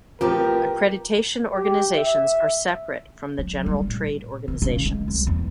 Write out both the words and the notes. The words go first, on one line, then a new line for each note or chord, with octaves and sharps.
Accreditation organizations are separate from the general trade organizations.
A2 F3 C4 G4 A#4 B4 G5
G4
E5
F#3
G3
A2
D#3
C#3
G#3
C2
E2